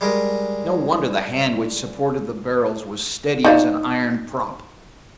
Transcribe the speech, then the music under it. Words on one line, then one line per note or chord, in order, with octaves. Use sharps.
No wonder the hand which supported the barrels was steady as an iron prop.
G3 G#3 G#4 A#4
D#4 D5 F5